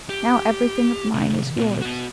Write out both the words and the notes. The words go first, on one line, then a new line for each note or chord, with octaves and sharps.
Now everything of mine is yours.
G4
C3 D#3
A#2 B3
B3 F#4